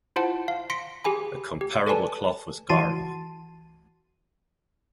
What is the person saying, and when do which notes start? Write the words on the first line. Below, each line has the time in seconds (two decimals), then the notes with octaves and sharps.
A comparable cloth was garha.
0.16 E4 F4 C5 F#5 A5
0.48 F5
0.70 C6 A#6 B6 C#7 D7
1.04 G4 G#4 G#5 B5
1.61 G4
1.87 A4 B4 D5 G#5 A5
2.69 E3 F#4 A5 C6 D#7